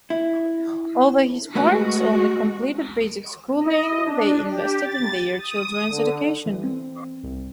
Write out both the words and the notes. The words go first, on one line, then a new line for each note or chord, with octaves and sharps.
Although his parents only completed basic schooling, they invested in their children's education.
E4
G#3 A3 F#4 B4 F#5
D#5
D4
G4
A6
D#6
D3
E3
C4
C2